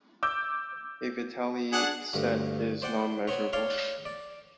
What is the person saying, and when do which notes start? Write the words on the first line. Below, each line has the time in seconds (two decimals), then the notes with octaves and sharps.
A Vitali set is non-measurable.
0.23 D6 E6 G6
1.72 D4 G#4 F#5
2.14 D2 G2
2.82 C5 D5 F#5 G5
3.28 B3 C4 C#5
3.53 C#5 D5 F5 C6
4.05 D5